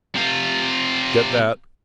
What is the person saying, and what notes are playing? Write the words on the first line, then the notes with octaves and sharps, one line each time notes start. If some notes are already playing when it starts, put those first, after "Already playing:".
Get that?
C3 F4